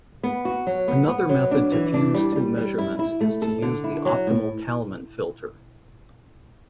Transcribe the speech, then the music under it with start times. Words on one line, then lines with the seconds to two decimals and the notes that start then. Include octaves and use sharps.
Another method to fuse two measurements is to use the optimal Kalman filter.
0.23 B3
0.45 F#4
0.67 F#3
0.88 B3
1.08 B3
1.29 F#3
1.51 D4
1.72 E3
1.94 D4
2.15 G3
2.36 G3
2.57 G3
2.78 E4
2.99 E4
3.21 A3
3.42 A4
3.62 D3
3.84 E4
4.05 F#3
4.27 A2